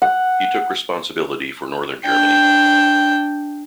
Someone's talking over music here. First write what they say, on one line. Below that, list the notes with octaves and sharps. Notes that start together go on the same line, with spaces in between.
He took responsibility for Northern Germany.
F#5
D4 G5